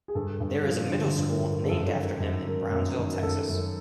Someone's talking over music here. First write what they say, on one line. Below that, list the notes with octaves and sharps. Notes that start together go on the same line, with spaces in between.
There is a middle school named after him in Brownsville, Texas.
G#4
G2 A4
G2
F3
D3
G2
A#4
G2
G#4
F#2 A4
D#3
F#2
D#3 A#4
F#2
D#3
F#2 A4
F#2